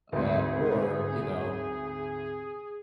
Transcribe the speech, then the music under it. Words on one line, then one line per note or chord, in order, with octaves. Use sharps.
uh, or, you know,
D2 G#2 C3 G#4 B4